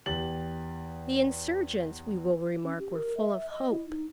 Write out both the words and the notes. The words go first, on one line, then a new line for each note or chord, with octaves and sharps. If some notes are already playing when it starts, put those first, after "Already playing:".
The insurgents, we will remark, were full of hope.
E2 G4 A6 F#7
C#4
G4
A#4
E5
D#5
E4
D#4